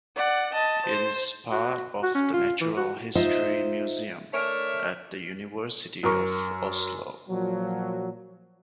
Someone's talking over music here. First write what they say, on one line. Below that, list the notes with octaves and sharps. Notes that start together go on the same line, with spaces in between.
It is part of the Natural History Museum at the University of Oslo.
D5 F#5
D#5 A5
C5
F#4
F#4
C#4
F4
E3
F#4
D#4 F4 C5 D#5 E5
A3 D4 A#4 C#5 E5
F#2 A#4 C#6
A#2 F3 F#3